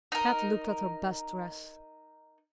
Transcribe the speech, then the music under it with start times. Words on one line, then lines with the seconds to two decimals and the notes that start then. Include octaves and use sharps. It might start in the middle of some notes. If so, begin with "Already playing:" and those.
Kat looked at her best dress.
0.12 D#4 A#4